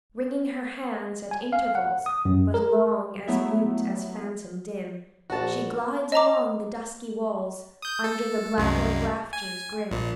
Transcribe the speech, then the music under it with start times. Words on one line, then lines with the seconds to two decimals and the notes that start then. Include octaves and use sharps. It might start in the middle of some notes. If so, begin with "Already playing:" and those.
Wringing her hands, at intervals-- But long as mute as phantom dim-- She glides along the dusky walls, Under the black oak rafters grim.
1.31 G#5
1.53 F5
1.75 F#5
2.06 D#6
2.25 F#2
2.54 A#4
3.28 F#3 A3 B3 E4 E5
5.30 A#1 F#4 A5
6.12 D#5 A5 A#5 D6
7.82 D#6 G6
8.04 A4
8.58 C2 F#2 G#3
9.33 G#5
9.91 A#1 A#2